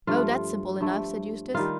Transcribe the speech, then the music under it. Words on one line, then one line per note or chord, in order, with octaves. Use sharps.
"Oh, that's simple enough," said Eustace.
G2 F3 A3 F4 F5
G2 F3 A3
D#3 G3 F4 F5